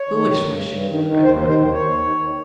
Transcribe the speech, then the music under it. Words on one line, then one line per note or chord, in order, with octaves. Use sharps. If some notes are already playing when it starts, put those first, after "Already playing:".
"A foolish wish," cried Bryan.
Already playing: C#5
D#3
G2
G2
G2
D#3
D#3
D#2 C5
D#3
C5
D#2
C#5
D#2
D#3
D#3